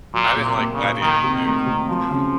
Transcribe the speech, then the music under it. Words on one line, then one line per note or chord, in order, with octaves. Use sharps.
I didn't like Gladiator II, I'll be honest.
A#2 F#3
A#2
C3
A#3
C#3
A#2
D#3 F#3
C3
D#3 A3
C3
F3 F#3
C#3